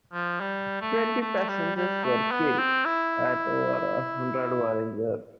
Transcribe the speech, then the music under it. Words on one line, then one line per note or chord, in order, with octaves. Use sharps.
Twenty passengers were killed and over a hundred were injured.
F3
G3
A3
A3
G3
G3
A3
B3
C4
E4